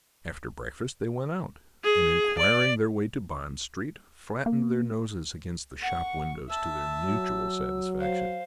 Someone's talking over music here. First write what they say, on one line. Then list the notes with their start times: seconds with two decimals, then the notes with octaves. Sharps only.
After breakfast they went out, and, inquiring their way to Bond Street, flattened their noses against the shop windows to their mutual satisfaction.
1.84 G#4
2.38 D5
4.46 A#3
5.82 F#5 C#6
6.49 E5 A5 E6
7.05 F#3
8.00 C5 F5